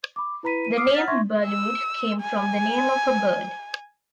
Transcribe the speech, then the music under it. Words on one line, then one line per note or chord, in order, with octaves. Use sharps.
The name Balud came from the name of a bird.
B5 D6
E4 B4 A#5 B5 B6 D#7
D#7
D6 D#6 F6 C7 D7
F#5 F6 A6 B6
E5 A#5 C6 C#6 G#6 A#6
E6
G#5